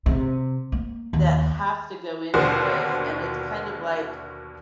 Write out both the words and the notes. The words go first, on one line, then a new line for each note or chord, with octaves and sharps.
that has to go into this, and it's kind of, like,
C3
A#3
D#2
D#2 B2 D3 A#3 F#4 C5